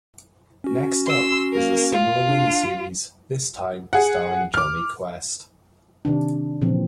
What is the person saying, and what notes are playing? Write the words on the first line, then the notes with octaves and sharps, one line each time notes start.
Next up is a similar mini-series, this time starring Jonny Quest.
C#4 F#4
C6 E6
A#3 A#4
F4
D4
G#4 F#5
D6 F6
C3 D#3 D4
A#2 C#3 E3 F3 C4